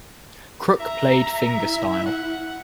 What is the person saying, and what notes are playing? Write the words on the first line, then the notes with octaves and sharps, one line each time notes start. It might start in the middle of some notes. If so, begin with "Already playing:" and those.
Crook played fingerstyle.
E5 A#5
E4
F#5